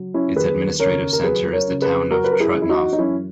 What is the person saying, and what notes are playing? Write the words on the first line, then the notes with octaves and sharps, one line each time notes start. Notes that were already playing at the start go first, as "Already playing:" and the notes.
Its administrative center is the town of Trutnov.
Already playing: C#3 F#3
C#4 E4
D#2 G#4 B4
C#3 A#4 C#5
A#4
F#3 G#4 B4
A#4 C#5
C#3
G#4 B4
F#2 F#4 A#4
B4
A#4
E4 G#4
E3
E4
D#4 F#4
D#4
F#2 C#4 E4